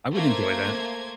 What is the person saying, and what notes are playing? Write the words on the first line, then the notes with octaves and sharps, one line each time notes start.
I would enjoy that.
A3 A#3 C5 G#6